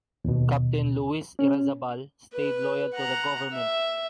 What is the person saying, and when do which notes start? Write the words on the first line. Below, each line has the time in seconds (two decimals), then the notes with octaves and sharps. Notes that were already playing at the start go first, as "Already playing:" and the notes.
Captain Luis Irrazábal stayed loyal to the government.
0.25 D#2 B2
1.39 C#4
2.34 B4
2.94 F#5 A#5
3.53 E5